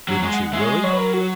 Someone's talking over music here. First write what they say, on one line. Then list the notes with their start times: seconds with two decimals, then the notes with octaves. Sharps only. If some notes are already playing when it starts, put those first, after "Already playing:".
"Wouldn't she really?"
0.08 F#3
0.23 G#3
0.33 F#5
0.43 F#5
0.53 G#3 E5
0.61 C#5
0.68 D#5
0.84 F#3 C#5
0.93 B4
0.99 A#4
1.14 F#4